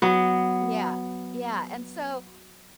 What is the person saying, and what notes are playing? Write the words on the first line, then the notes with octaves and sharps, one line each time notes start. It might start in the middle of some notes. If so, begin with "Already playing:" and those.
yeah, yeah, and so
F#3 B3